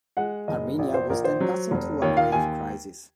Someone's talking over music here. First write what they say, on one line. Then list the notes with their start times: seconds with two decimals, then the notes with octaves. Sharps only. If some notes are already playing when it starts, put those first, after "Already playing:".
Armenia was then passing through a grave crisis.
0.17 G#3 F#5
0.48 F#1 D#5
0.79 A#1
0.94 C5
1.10 A#1 A#4
1.24 C5
1.40 F#3
1.71 F1
2.02 D#2 C#5
2.17 F5
2.32 D#2 G#5